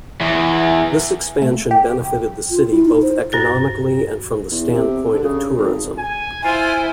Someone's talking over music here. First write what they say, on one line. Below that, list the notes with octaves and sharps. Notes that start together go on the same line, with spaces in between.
This expansion benefited the city both economically and from the standpoint of tourism.
E2
A3
G4
C#2
F4
E4
D#4
C5
G2 F#4 A6
E2
C3
D3
C#3
G#1
G#5
E4 F4 C5 G#5